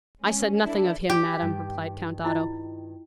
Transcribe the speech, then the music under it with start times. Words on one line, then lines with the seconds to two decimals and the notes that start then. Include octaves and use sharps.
"I said nothing of him, madam," replied Count Otto.
0.22 G#3 C#4
0.64 D4 E4 A4
1.10 E4 F#4 G4 D5
1.42 G2 D#3
2.24 E4 F4 D#5